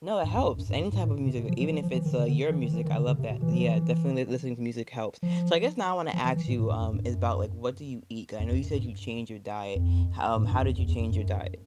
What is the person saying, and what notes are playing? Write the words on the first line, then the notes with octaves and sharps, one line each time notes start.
No, it helps, any type of music, even if it's, uh, your music, I love that l yeah, definitely li listening to music helps, so, I guess, now I wanna ask you, um, is about, like, what do you eat? 'Cause, I know you said you changed your diet, how um, how did you change your diet?
G2
F2
F#2
F#2
G2
G#2
A2
C3
B2
F3
F3
F3
F3
E3
D#3
D3
D3
E3
D#3
E3
D#3
D3
C#3
C3
B2
E3
F3
E3
F3
F3
E3
E3
A#2
A2
G2
F#2
G2
F#2
F2
F2
F#2
G2
F2
G#2
G2
F#2
F2
E2
E2
E2
F#2
F#2